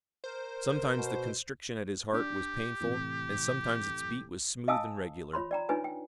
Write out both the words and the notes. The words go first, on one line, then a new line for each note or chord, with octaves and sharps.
Sometimes the constriction at his heart was painful, and sometimes its beat was smooth and regular.
A#4 C5
B2
D4 G4
A2 C3 E3
D#5 F5 G#5 A5 D#6 E6
F4 C#5 B5 C6
D5 G5 A#5
D4 D#4 F4 B4 C#5 G#5
G5